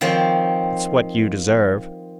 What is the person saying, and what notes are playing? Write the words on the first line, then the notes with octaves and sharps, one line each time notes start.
"It's what you deserve."
D#3 F3 C4 C#5